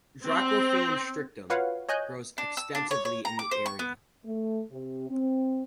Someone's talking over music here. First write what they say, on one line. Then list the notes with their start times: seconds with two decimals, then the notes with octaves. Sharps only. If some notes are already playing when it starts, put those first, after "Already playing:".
Dracophyllum strictum grows extensively in the area.
0.25 C4
1.50 F4 F#4 B4 C#5 F5 F#5
1.89 C#5 D#5 G#5 F#6 G6
2.38 D4
2.57 E6
2.75 D4
2.91 C#5
3.05 C#5
3.25 A#5
3.39 D6
3.51 C5
3.66 C#6
3.79 B3
4.25 A3
4.71 C3
5.09 C4